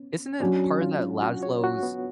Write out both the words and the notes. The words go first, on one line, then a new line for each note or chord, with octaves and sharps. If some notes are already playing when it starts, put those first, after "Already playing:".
Isn't it part of that Laszlo's
Already playing: B3 C#4
F#3 C#4 D4 F#4
F4
F#4
C#5
F#4
B3